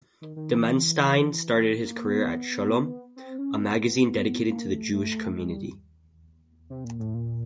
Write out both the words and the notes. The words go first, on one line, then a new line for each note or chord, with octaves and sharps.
Dimenstein started his career at Shalom, a magazine dedicated to the Jewish community.
D#3
D#3
E3
A#3
B3
C4
C#4
B3
B3
A#3
A3
A3
G#3
G3
C3
A#2
A2
A#2